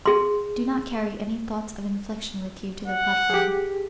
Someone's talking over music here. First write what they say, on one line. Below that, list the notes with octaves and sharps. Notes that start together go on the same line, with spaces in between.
Do not carry any thoughts of inflection with you to the platform.
G#4 C6
F#5
G4 G#4